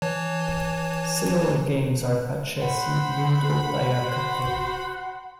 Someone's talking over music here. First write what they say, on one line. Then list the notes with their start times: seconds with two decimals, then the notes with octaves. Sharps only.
Similar games are Parcheesi, Ludo, Dayakattai.
0.02 E3 C#5 A5
2.61 C5 F#5 B5
4.02 F#4 C5